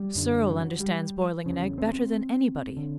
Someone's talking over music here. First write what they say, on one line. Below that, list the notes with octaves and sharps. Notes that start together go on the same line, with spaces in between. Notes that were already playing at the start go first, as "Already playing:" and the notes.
Serle understands boiling an egg better than any body.
Already playing: G3
F#2 D3
F#3
G3
E2 C#3
C4
D3